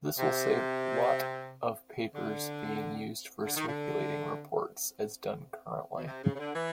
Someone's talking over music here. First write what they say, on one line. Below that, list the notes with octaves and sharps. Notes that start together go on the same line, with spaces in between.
This will save lot of papers being used for circulating reports as done currently.
C3
D3
D3
D#3
D3
B2
C3
C#3
C#3
D3
E3